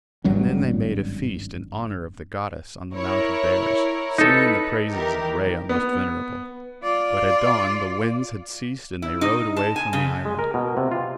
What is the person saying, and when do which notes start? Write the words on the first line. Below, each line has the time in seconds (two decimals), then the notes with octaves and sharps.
And then they made a feast in honour of the goddess on the Mount of Bears, singing the praises of Rhea most venerable; but at dawn the winds had ceased and they rowed away from the island.
0.24 G#1 G2 F#3 C#4
2.95 E4 A#4 C#5
4.18 D#4 A4 B4
4.91 E3 G4 A#4
5.69 B3
6.84 F4 D5
9.02 E4
9.21 D#4
9.56 A5
9.76 G#5
9.93 C#3
10.25 G#3
10.39 A#4
10.54 B2
10.77 C3
10.92 F4